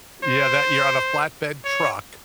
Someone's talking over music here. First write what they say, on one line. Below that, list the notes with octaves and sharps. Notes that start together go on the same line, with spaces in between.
Yeah, that you're on a flatbed truck,
C5
C#5